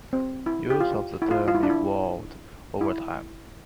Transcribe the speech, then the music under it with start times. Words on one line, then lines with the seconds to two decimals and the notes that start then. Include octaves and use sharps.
Use of the term evolved over time.
0.13 C4
0.46 E4
0.70 G4
0.80 F4
1.22 E4
1.31 F4
1.48 F4
1.55 E4
1.63 D4
1.70 E4
2.81 E4